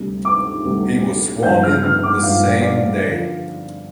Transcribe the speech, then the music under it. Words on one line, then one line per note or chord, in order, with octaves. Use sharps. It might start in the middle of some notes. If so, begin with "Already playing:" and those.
He was sworn in the same day.
Already playing: D2 C3 G3
D6
D2 C3 G3
G1 G2 F3 G6
F6
F6
D6
G1 G2 F3 F5
D5
D3 F3